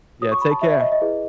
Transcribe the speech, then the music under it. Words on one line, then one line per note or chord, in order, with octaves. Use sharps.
Yeah, take care.
F#4 C#5 D#6
C#6
B5
A5
F#4 C#5 E5
E5
D#5
D#5
E4 G#4 B4